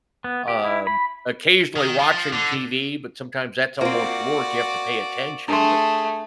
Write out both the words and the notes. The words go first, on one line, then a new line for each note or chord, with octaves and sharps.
um, occasionally watching TV, but sometimes that's almost work, you have to pay attention, but,
B3
G4
E4
B5
D#3
F3
D3
A#3 C4 F4 F#4 C5 D5
A3 D4 G#4 C6